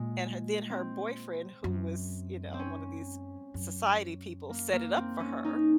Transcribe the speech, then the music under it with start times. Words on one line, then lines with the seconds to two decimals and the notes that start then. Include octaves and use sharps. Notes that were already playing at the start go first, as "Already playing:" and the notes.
and her then her boyfriend who was, you know, one of these society people set it up for her.
Already playing: A#2 G#3
0.70 C4
1.64 F#2
2.53 C4
2.59 C#4
3.54 F#2
4.49 A#3
4.73 A#3
4.97 C4
5.20 C#4
5.44 D#4